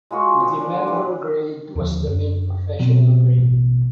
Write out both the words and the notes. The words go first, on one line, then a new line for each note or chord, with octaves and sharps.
The Member grade was the main professional grade.
G#3 A#3 F4 F#4
A#2 F3 C6
D4
D3
E3 G3
D#2 D3 F3
F#2
B2 F#3 C4
A1